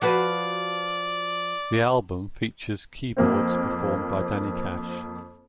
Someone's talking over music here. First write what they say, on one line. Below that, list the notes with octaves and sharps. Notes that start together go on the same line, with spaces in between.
The album features keyboards performed by Danny Cash.
F3 F#4 B4 D5
F2 A#3 C4